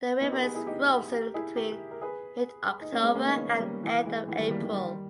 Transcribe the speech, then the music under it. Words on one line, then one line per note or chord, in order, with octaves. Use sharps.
The river is frozen between mid October and end of April.
B3 D#4
G4 A#4
G#4 B4
E4 G#4
D#4 G4
G4 A#4
E4 G#4
G4 A#4
A#4
G#4 B4
D#4
A#3 C#4
G#3 B3
A#3 C#4
B3 D#4
A#3 C#4
G3 A#3
E3
E3 G#3
E3 G#3
D#3 G3
G3 A#3
D#3 G3
D#3 G3